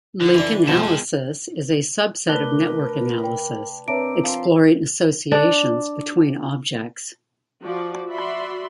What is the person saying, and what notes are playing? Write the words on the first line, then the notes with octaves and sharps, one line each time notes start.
Link analysis is a subset of network analysis, exploring associations between objects.
D3
E3 D4
B2 F3 B3 C4 A5
G#3
C3 A3 D4 A#4 B4 F#6 A#6 G7
G5
C4 D4 A#4 B4 C#5 E5 D7
F3 C6
D4
F3 F#4 D5
F#4 D5 E5 B5 C6